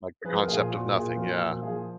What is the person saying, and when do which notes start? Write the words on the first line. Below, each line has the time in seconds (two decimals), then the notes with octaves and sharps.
Like, the concept of nothing, yeah.
0.25 F3 G#4 B4
0.38 A#4
0.48 A#2 F4 G#4
0.71 A#2 F#4
0.94 A#2 F4 G#4
1.16 F3 F#4 A#4
1.39 A#2 F#4
1.62 F3 F4 G#4